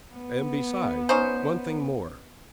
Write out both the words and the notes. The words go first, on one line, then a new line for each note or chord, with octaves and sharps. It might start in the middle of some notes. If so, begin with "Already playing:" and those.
And besides--one thing more!
B3
C#4 D#4 C5